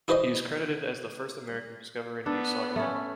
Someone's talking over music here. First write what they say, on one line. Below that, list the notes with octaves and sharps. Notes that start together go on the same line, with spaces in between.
He is credited as the first American to discover and use soggy bottom.
E4 G#4 B4 C5 D5 D#5
B3 D4 A4
A3 C#4